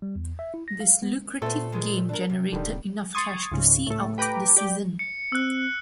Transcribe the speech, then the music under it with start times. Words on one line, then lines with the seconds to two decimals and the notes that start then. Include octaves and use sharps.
This lucrative game generated enough cash to see out the season.
0.02 G3
0.16 E2
0.39 E5
0.54 E4
0.68 A#6
0.80 F5
1.03 B3
1.42 A#2 A3 B3 C4 A4
1.72 D#3 G#3
2.09 D4 A#4
2.30 C3
2.52 D1 D3 D#3 G3
3.13 C6 C#6 D#6 G#6 A6
3.52 C#2 G#2 C#3
3.87 A2 A3
4.18 G4 B4 G5 A#5 D6
4.57 G4 D5 G6
4.99 C#7
5.32 C4 E6 F#6